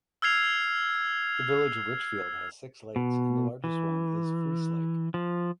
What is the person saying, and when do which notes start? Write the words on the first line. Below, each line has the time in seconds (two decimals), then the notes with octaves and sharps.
The village of Richfield has six lakes and the largest one is Friess Lake.
0.22 E6 F6 G#6 C7 F7
2.96 B2
3.64 E3
5.14 F3